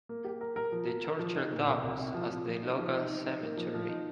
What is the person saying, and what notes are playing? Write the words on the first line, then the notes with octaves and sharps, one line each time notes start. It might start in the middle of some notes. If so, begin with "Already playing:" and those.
The churchyard doubles as the local cemetery.
A#3
G4
A#4
A#4
F3
A#4
A#4
F3
D#4
A#2
C2
C2
C3
F3
F3
F3
D#4
F3
D#4
D#4
D#4
A#3
F3
F3
D#4